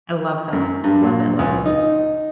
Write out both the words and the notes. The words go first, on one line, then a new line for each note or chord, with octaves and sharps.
I love that, love it, love it.
F#2
G2
A#2
C#2
D#4